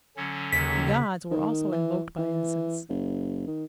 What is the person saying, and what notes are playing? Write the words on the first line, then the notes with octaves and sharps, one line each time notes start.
The gods were also invoked by incense.
D3 F#3 C#4
D#2 C#3 B6
D#3
E3
E3
F#1
D#3